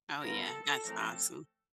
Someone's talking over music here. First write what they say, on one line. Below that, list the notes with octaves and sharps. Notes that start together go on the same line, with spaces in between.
Oh, yeah, that's awesome.
G2 D3 G3 B3 A#4
A4
A4
A2 F3 A3 C4 A#4
A4